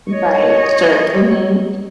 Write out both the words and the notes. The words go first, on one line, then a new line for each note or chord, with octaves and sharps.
Right, sure. Mhm.
C#5 D#5